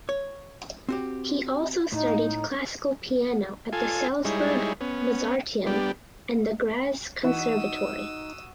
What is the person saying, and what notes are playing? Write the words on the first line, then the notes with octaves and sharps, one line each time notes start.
He also studied classical piano at the Salzburg Mozarteum and the Graz Conservatory.
C#5
C4 F#4 G4
A2 D#4
F4 A4 G#5
G3 G#3 D#4 E4 G#4 C#5
B3 C#4
G3 B3 D4 G4
E3 D#4 F#4 D#6 E6